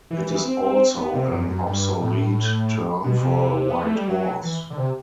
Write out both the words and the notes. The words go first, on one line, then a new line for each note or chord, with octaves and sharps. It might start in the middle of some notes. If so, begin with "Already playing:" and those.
It is also an obsolete term for a white horse.
E3
E3
C4
C4
B3
C3
F#2
F#2
G2
A2
B2
C3
B3
A3
G3
F#3
E3
D3
C3